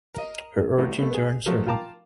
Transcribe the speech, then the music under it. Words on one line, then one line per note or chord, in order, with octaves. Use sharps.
Her origins are uncertain.
A#4 D#5
G#1 A2 C3 G3 B3
B2 A3
B3 G#4
F3 F#3 A3
F4 F5 G5 A5 A#5 D6